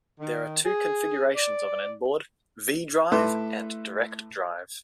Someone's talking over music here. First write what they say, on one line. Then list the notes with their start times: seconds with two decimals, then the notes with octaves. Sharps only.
There are two configurations of an inboard, V-drive and direct drive.
0.19 D#3
0.66 G#4
1.35 D5
3.12 A2 A4 B4 E5 C6 D6